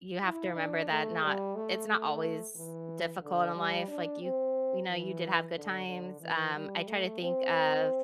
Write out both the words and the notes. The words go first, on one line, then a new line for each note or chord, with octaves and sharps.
you have to remember that not it's not always difficult in life. Like, you you know, you did have good times. Um, I try to think of
E4
D4
A3
G3
A3
A3
E3
D3
G3
D4
C4
E3
D3
D3
E3
G3
A3
C4